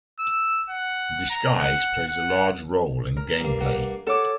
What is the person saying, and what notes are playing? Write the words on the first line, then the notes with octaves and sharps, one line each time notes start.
Disguise plays a large role in gameplay.
E6
F#5
A#5
F#5
F#5
A#4
G2 A#3
G2 A#3 F#5
A4 C#5 F#5 D6